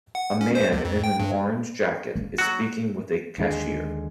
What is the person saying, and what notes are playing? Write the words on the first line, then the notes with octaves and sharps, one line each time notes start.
A man in an orange jacket is speaking with a cashier.
F#5
C#4
C5
C#2
F2
G5
G2
A#3
F#3 F#4
D#2 D3 F#3 G#3